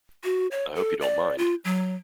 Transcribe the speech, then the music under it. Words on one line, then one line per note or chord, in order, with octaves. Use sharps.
I hope you don't mind.
F#4
C#5
A4
D5
F4
F#3